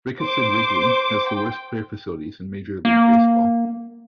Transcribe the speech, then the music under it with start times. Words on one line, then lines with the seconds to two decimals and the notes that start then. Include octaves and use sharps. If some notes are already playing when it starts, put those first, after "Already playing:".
Ricketts said Wrigley has the worst player facilities in Major League Baseball.
0.20 C5 C6 D6
1.27 G5
2.85 A#3